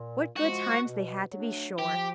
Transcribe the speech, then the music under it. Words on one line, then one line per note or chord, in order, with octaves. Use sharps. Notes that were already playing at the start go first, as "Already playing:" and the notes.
What good times they had, to be sure.
Already playing: A#2
F3 G#3 F#4
B2
F#3 A3 D4
F3 G4